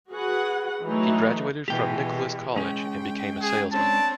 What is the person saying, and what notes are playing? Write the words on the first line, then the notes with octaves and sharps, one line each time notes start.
He graduated from Nichols College and became a salesman.
F#4 G#4 B4 F#5
E3 F#3 A3 D#4 F#4
B2 E3 G#3 G4 G5
G#3 C#4 G5
G#4
C4 D4 C#5 A5